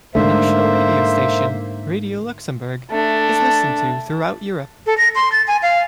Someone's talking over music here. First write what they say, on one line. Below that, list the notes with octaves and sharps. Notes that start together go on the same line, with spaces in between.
The national radio station, Radio Luxembourg, is listened to throughout Europe.
G#2 D3 A3 A#3 C5 E5
A3 D4
A4
A#6
C6
A6
G#5
F5